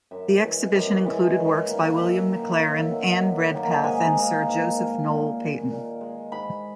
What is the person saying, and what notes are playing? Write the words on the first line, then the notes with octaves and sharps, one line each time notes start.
The exhibition included works by William McLaren, Anne Redpath and Sir Joseph Noel Paton.
F#2 E5
E3 G#3
F#2
E3 G#3
F#2
D#3 A#3
F#2 E5
D#3 A#3
F#2 E5
D#3 F#3 A#3
F#2
D#3 F#3 A#3
G#2 G#5
D#3 A#3
G#2
D#3 A#3
A#2
G#3
A#2
G#3
G#2 B5